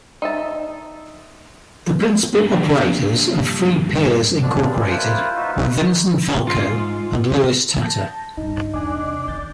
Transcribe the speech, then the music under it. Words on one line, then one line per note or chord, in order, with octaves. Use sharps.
The principal operators of Free Peers, Incorporated were Vincent Falco and Louis Tatta.
D#4 E5 A5
G2 A#2
B2 D3 F3 D4
G2 A#2 C#3 G3 G#3
A#3 E4 F4 B4 C5
D#4 F4 F#4 B4 E5
G#2 F4
A5 G6 A#6
G2 C#3 D#4
E2 C3 D4 D#5 G#5 F#6
D#3 G6 A6